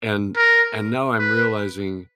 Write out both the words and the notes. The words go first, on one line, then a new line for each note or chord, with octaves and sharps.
And and now I'm realizing,
A#4
B4